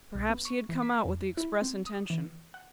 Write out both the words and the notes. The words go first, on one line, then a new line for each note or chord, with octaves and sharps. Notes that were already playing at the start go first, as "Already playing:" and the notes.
Perhaps he had come out with the express intention.
B1
B3
C#6
E3
B6
F2
E4
C4
D#6
E3
F#5